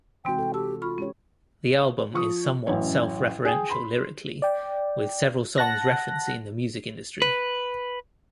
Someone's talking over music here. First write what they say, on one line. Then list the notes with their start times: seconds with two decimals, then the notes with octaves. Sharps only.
The album is somewhat self-referential lyrically, with several songs referencing the music industry.
0.25 C3 E3 G#3 C4 D#4 F#4 G5
0.39 A4
0.54 G4 A5 E6
0.82 F4 B5 C#6 F6
0.98 G#3 C#4 G4 C#5
2.14 F3 C#6 D#6
2.67 A1 F#2 C#5
3.45 G#4 G5
3.69 B5 C6
4.42 D5 G5
5.58 F#5 A5 F#6 A#6
7.22 B4